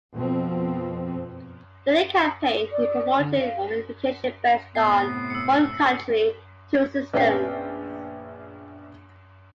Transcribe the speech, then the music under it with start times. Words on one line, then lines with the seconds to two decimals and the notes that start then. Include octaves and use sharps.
During the campaign, he promoted unification based on "one country, two systems".
0.13 F2 B2 F3 C4
2.72 D5
3.18 D3
3.41 F5
4.75 A2 C3 B3 C7
5.30 E6 C#7
7.13 A#1 B3 C#4 E5 G5 C7